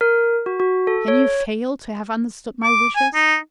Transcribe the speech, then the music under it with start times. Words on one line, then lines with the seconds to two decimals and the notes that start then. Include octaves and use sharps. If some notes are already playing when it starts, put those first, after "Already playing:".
Can you fail to have understood my wishes?
0.01 A#4
0.46 F#4
0.60 F#4
0.87 A4
1.08 C#5
2.63 D6
2.95 G#5
3.15 D#4